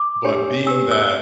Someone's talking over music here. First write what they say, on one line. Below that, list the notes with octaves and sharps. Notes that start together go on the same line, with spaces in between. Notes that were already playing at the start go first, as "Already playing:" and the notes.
but being that
Already playing: D6
D4 G4 C#5
D4 G4 B4 E6
E6